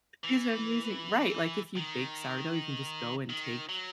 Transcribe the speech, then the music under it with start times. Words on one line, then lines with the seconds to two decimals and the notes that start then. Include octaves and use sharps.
these are amazing" Right, like, if you bake sourdough, you can just go and take
0.24 E3
1.76 D#3
3.30 D#3
3.69 F#3